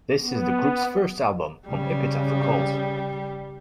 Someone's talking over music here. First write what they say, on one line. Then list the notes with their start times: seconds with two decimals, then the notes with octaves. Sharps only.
This is the group's first album on Epitaph Records.
0.20 B3
1.69 C#3 G3